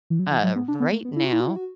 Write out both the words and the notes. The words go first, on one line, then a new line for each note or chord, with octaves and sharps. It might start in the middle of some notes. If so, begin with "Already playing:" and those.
Uh, right now
E3
F#3
E3
F#3
B3
D4
B3
A3
B3
E4
F#4
E4
F#4
E4
F#4